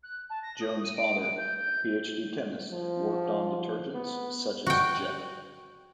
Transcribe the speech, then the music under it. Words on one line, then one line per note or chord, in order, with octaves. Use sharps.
Jones' father, a PhD chemist, worked on detergents such as Jif.
F#6
A5
A#6
D#6
D#7
D7
D7
G6
G6
F3
B3
F#4 G5